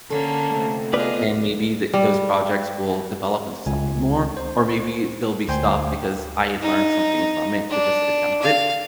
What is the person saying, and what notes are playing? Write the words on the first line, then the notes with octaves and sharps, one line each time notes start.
And maybe the those projects will develop into something more, or maybe they'll be stopped because I learned something from it to just attempt it
D3 A#3 C#4 A4
C3 A3
B3 F4 G#4 B4 D5 D#5
G3
C#2 G#5
C5
D2 C5 G5 G#5 C6
D#4
D4
F5